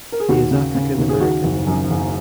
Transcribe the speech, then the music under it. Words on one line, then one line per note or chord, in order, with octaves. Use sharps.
He is African American.
A#4
G#4
D#2 F#4
C#3
C#3
D#2
G#4
D#3 F#4
F#1
F#2
F#1